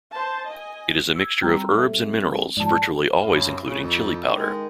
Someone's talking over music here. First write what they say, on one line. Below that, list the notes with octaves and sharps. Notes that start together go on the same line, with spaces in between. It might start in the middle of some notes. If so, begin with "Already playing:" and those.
It is a mixture of herbs and minerals, virtually always including chilli powder.
C5 A5
D#5 G#5
E6 G#6
G3 C4 G5 A#5 E6
A4 E5
G#2 F3 D5 A5
F#2 E4 F5
C#3
F2
D#3 G#3